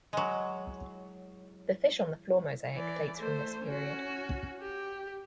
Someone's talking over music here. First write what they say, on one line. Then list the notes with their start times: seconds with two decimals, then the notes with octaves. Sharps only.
The fish on the floor mosaic dates from this period.
0.13 F#3 G#3
2.74 E3 D5
3.17 A3 C5
3.65 C#4 F#4
4.60 G4